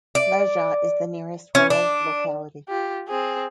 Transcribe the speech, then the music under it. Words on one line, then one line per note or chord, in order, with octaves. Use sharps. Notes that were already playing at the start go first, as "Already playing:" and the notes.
Lezha is the nearest rural locality.
D5
C#4
D4
F4 G4
C4 G#4